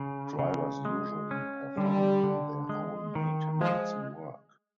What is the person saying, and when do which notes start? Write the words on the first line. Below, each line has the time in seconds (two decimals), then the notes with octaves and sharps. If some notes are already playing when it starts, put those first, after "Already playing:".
Drivers usually performed their own maintenance work.
Already playing: C#3
0.39 C#3
0.85 G#3
1.31 C#4
1.77 D3 G3
2.24 D3
2.69 G#3
3.15 D#3
3.61 F3 G#3